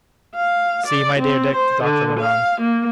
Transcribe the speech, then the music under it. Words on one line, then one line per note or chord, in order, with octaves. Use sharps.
"See, my dear Dick!" the doctor went on.
F5
D5
C4
C5
D3
F5
A#3